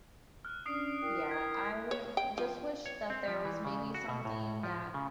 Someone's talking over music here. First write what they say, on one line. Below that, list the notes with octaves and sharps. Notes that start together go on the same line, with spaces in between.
yeah, I just wish that there was maybe something that
F6 F#6
C#4 D4 D5 D#6 C7 D7
E4 A#4 G5
G#6 B6
C#5
G5
F3
C#5
C4
F3
E3
C#3
F#4
B2
A2
F3
C#3